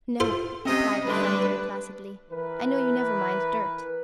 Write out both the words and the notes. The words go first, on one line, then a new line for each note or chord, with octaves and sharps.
"No," replied her friend very placidly, "I know you never mind dirt."
F4 A4 C5
C3 C4 C#4 D#5
D3 G3 A3 D4 B4 C6
E3 A#4 B4